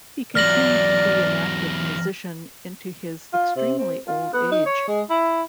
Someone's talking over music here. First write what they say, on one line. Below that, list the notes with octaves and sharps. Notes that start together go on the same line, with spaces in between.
He continued to be an active musician into his extremely old age.
E2 F#3 D5 F6 A#6 F#7
F4
C3
C4
F4
B3
D#4
C#5
G#3
E4